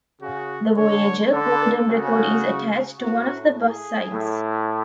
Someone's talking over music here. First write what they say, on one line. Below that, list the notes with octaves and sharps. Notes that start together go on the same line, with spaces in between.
The Voyager Golden Record is attached to one of the bus sides.
C#3 F#4
D3 C#5
D3 A4
C#3 F#4
A2 F#4
G#4
A2